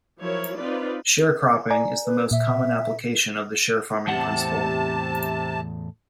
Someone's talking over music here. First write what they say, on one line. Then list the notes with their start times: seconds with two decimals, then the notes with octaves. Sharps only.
Sharecropping is the most common application of the sharefarming principle.
0.18 F3 F#3 E4 A#4 C#5
0.58 C4 D#4 F4 B4 D5
1.70 D5 G#5 A#5
2.05 B4
2.31 A#2 E5
4.07 E2 A2 C3 F#5 A5